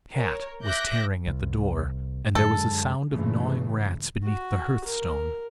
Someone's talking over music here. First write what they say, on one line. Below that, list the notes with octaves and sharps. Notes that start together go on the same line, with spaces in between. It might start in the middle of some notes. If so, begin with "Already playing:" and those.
A cat was tearing at the door, and there was a sound of gnawing rats beneath the hearth-stone.
A#4 C#5
E5 D6 F#6 G6 A#6
C2
F#2 D3 G#3 A4
G2 A#2 C#3 E3 G#3 A3
F#4
A#4